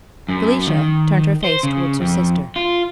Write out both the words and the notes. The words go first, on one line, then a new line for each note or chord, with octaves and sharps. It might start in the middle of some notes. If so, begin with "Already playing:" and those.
Felicia turned her face towards her sister.
F#2
D#3
C5
C#3
F2
F4